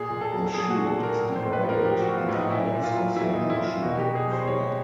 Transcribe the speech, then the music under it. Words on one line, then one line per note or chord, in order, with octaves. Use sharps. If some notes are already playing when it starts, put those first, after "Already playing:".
The shield is divided in the colors of the national flag.
Already playing: A#2 G#4
A#2
A4
F#3
F#3 G#4
F#4
A#2
A4
A#2
A#4
A2
C5
A2
B4
F3
A#4
F3 G4
F#4
A2
F4
A2
D#4
A#2 E4
A#2
F4
F#3
F#3 E4
D#4
A#2
E4
A#2
F4
B2 F#4
F#4
G4
B2
G#4
G3 C5
G3 C#5